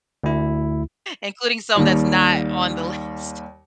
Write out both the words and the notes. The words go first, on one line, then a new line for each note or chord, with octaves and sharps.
including some that's not on the list.
D2 E4
D#2 D#3 G3